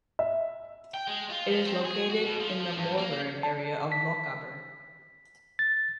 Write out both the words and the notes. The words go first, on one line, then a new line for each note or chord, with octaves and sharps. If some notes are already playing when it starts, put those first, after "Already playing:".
It is located in the Morvern area of Lochaber.
E5
G5
G#3
F4
F3
C4
G#4
F#4
B2
F3
F3
G2
A#3
A5
B6
A6